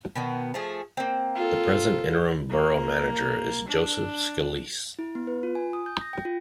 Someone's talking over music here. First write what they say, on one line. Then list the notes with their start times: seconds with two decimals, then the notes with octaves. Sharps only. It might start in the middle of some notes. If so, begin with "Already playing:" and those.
The present interim Borough manager is Joseph Scalise.
0.16 B2 D#3 B3
0.54 F3 A3 G#4
0.97 A#3 C4
1.35 F4 A4
2.50 A#3
3.69 D4
4.99 E4
5.15 B3
5.27 B4
5.43 F4
5.55 G#5
5.73 D#6
5.86 G6
6.01 A#6
6.13 G5
6.25 F4